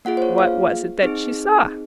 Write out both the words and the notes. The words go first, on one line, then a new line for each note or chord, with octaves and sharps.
What was it that she saw?
A#3 F4 G#4 F#5
C5
C#5
F5
C4 D#4 G#4